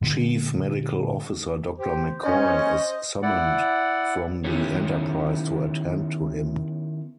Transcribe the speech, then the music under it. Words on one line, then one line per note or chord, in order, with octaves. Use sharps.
Chief Medical Officer Doctor McCoy is summoned from the "Enterprise" to attend to him.
A#2 D3 G#3 B3
G4 C5
C#4 D#5
E4 D5 F#5
D#3 B3 C#4 E4 G4 C#5